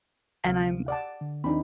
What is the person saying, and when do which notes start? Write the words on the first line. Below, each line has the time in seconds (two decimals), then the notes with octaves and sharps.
and I'm
0.44 D2 C3 F5
0.88 D5 F#5 A5
1.21 D3
1.44 D#2 D#3 C4 D4 D#4 B5